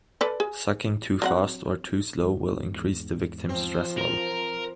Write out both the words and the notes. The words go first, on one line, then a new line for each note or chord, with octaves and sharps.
Sucking too fast or too slow will increase the victim's stress level.
A4 B4 D5
G#4
F#3 C4 F#5
E2 G#2
F3 C4
A#4